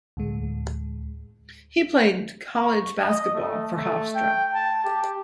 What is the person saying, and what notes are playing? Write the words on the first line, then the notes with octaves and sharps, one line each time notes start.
He played college basketball for Hofstra.
D2 A2 G#3
C#6
D#5
A3
A3
G5
A5
G4